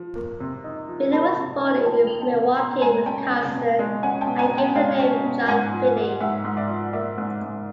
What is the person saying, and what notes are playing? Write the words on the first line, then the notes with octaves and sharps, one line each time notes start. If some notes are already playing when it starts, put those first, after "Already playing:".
Finney was born in Milwaukee, Wisconsin and given the name John Finney.
Already playing: F3
A#3
C3
D#4
F3
A#3 A5 B5
C3
D#4
F3 G5 A5
A#3
G5 A5
C3
B2 A#5 C6
G#3 G#5 A#5
G#5
C#4 G5 A5
B2
B2
G#3
C#4 F#5 G#5
G5 A5
B2
G#5 A#5
B2
G5 A5
G#3 F5 G5
C#4
B2
G#2 F#5 G#5
F3
A#3
G#2 E5 F#5
G#2
D5 E5
F3
A#3 D5 E5
G#2
G#2